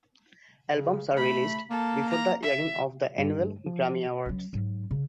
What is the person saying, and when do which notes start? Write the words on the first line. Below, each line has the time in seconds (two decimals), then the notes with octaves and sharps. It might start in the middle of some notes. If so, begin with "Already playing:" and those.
Albums are released before the airing of the annual Grammy Awards.
0.71 C#3
1.17 A3 B5
1.70 A#3 A4
2.09 A#5
2.43 E5
3.18 G2
3.66 F3
4.25 F#3 C#4
4.53 G#2 F#3
4.91 C#3